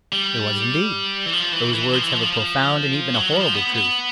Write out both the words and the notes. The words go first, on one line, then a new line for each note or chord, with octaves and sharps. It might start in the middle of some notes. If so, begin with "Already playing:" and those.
There was indeed. Those words have a profound and even a horrible truth.
G3
E3
F3
E3
E3
F3
E3
F3
F#3
F3
B3
B3